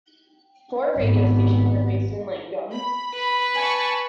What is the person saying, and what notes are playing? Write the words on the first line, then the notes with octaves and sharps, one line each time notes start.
Four radio stations are based in Langdon.
G#1 B3
B5
B4
G#5 A5 C#6